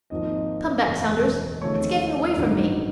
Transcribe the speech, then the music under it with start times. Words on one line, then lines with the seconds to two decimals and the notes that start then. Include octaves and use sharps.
Come back, Saunders, it's getting away from me.
0.10 G#1 G#2 F3 A#3 D#5
0.86 F#1 E2 B2
1.61 D#2 C#3 F3 A3 C4 C#5
2.36 A1 G2 D#3 F#3